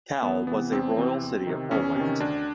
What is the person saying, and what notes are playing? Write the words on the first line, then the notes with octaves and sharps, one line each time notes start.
Kowel was a royal city of Poland.
E2 B3
C3 E3 B3
E2 C4
C3 E3
E2
C3 D#3
E2 C#4
C3 D#3
D2 D4